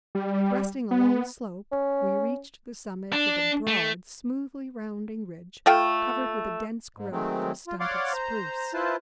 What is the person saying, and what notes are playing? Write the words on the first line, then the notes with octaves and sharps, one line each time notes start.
Breasting a long slope, we reached the summit of a broad, smoothly rounding ridge covered with a dense growth of stunted spruce.
G3
B3
C#4
D4
A3
A3 F4 G5
G#2
D#3 F#3 G#3 A3 C4
F4
C#5 D5 F5 F#5 C6 D6
C5 A#5
E4 F4 B4 C5 A5